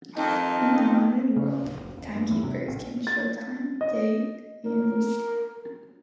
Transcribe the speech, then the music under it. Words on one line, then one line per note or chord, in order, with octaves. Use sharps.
In the modern world, timekeepers can show time, date and weekday.
F2 D#3 D#4
C#3
D1
F#1
D#1
G2
E2
C3
A1
A6
D#5
A#4